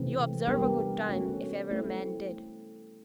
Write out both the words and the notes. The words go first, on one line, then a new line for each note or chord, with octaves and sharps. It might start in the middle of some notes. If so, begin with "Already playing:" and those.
You observe a good time if ever a man did.'
Already playing: C3 E3 A3 C4
G3 B3 D4 G4 A#4
A3 C#4 F#4
A3 C4 E4